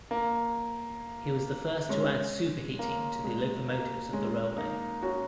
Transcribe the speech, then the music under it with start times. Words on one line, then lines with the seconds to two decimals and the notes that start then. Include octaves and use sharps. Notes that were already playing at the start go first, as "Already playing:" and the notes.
He was the first to add superheating to the locomotives of the railway.
0.11 A#3
1.89 G#3 C#4
2.79 A#3
3.24 G#3
3.68 A#3
4.13 G#3 C#4
4.58 A#3 D#4
5.02 C#4 F#4